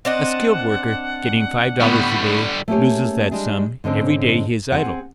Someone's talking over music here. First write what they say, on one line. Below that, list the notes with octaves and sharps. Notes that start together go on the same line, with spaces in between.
A skilled worker getting five dollars a day loses that sum every day he is idle.
C4 D4 D#5 F#5
A2 D3 G3 B3 C#6
A3 A#3 C#4 G4 G#4 C#5
G3 G#3 D4 G#4
G#2 D3 G#3 C4 C#4
C4 G#4 F#5